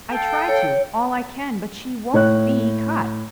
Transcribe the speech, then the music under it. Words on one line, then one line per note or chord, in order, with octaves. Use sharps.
"I try to, all I can; but she won't BE cut."
A4 F5 G5
C#5
A2 C#5 F#6